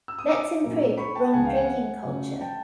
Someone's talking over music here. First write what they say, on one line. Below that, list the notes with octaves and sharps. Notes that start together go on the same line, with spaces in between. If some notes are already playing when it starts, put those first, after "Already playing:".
Let's improve wrong drinking culture!
E6
D#6
D6 E6
A#2 F#3 A#3 C#4 F4
B5 C#6
G5 A5
C#2 C#3 E3 G#3 F#5 G#5
F5 G5
F#5 G#5
C#3 F#3 A3 C#4
G5 A5